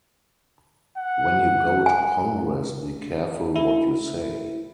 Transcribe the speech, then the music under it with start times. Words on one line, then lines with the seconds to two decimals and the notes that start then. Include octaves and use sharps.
When you go to Congress, be careful what you say.
0.97 F#5
1.86 G#5
3.56 E4